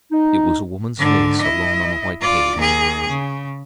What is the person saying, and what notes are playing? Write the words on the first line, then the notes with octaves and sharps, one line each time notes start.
It was a woman's face, alone on the white page.
D#4
G#2 D3
E4 D#5
F4 D5
D#2 G#4
C#3